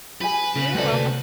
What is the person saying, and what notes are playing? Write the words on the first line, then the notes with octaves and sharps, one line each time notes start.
You're welcome.
G4 G#4 B4 G#5
C#3 G#4
D2 G#3 A4 C5 D5 D#5
C3 A#3